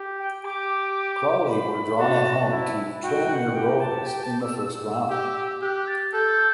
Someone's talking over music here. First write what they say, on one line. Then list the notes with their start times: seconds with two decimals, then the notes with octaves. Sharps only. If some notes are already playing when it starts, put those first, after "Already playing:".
Crawley were drawn at home to Tranmere Rovers in the first round.
Already playing: G4
0.19 G5
0.45 G4 D6
1.48 B5
1.99 F#4 A5
2.51 E4
3.03 F#4 G5
3.29 F#5
3.55 G4 G5
3.80 A5
4.06 G5
4.23 A5
4.41 E6
4.58 E6
5.10 G4
5.61 G4 F#6
5.87 A6
6.13 A4 G6